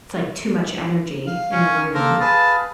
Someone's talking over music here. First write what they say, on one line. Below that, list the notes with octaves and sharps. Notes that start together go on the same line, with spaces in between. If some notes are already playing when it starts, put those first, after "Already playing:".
it's, like, too much energy in a room.
F5
C#4
A#3 A4 A#4 C5
G#4 B4 F5 A5